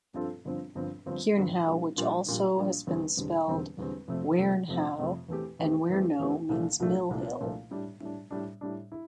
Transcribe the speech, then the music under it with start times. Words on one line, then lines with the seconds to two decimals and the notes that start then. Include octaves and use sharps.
Quernhow, which has also been spelled Whernhowe and Whernou means mill-hill.
0.14 G2 F3 C4 F4 A4
0.45 G1 G2 F3 C4
0.75 G1 G2 F3 C4
1.06 G1 G2 F3 C4
1.36 G1 G2 F3 C4
1.66 A#1 A#2 G3
1.96 A#1 A#2 G3
2.26 A#1 A#2 G3
2.57 A#1 A#2 G3
2.87 E1 E2 D3 G3 C4
3.17 E1 E2 D3 G3 C4
3.48 E1 E2 D3 G3 C4
3.77 E1 E2 D3 G3 C4
4.08 F2 C3 F3 A3 C4
4.38 F2 C3 F3 A3 C4
4.68 F2 C3 F3 A3 C4
4.98 F2 C3 F3 A3 C4
5.29 E2 E3 A3 C4 G4
5.59 E2 E3 A3 C4 G4
5.90 E2 E3 A3 C4 G4
6.19 E2 E3 A3 C4 G4
6.49 C2 A#2 F3 A3 D4
6.80 C2 A#2 F3 A3 D4
7.10 C2 A#2 F3 A3 D4
7.41 C2 A#2 F3 A3 D4
7.71 A2 G3 D4
8.00 A2 G3 D4
8.31 A2 G3 D4
8.61 A2 G3 D4
8.92 E4